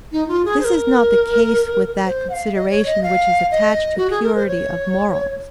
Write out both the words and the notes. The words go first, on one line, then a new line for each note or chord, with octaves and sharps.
This is not the case with that consideration which is attached to purity of morals.
D#4
F4
G#4
C5
A#4
C5
F#5
F5
D#5
C#5
D#5
F5
D#5
F#4
G#4
A#4
C5
C#5